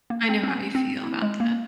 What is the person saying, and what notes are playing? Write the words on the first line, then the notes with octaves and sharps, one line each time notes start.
I know how you feel about that.
A#3
C4
C4
C#4
C4
E4
G#3
A#3